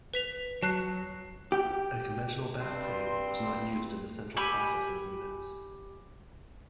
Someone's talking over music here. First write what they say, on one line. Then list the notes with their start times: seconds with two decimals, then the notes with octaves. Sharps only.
A conventional backplane was not used in the central processing units.
0.14 B4 B6 F7
0.63 F#3 A5 F#6 C7
1.52 G4
2.60 G2 G3 C4 C6
4.37 G4 G#5 B5 E6